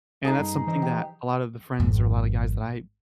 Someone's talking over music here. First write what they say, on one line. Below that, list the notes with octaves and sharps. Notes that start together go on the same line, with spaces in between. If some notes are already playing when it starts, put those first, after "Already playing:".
And that's something that a lot of the friends or a lotta guys that I
D#4 G#4 A4
G2
E3 C5 D#5
G4
G#1 F2